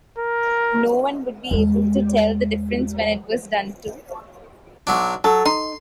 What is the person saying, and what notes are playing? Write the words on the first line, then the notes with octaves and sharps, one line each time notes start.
No one would be able to tell the difference when it was done too.
A#4
E2 G#3
B1 F#3 D4
F#3 A4
D#4 C6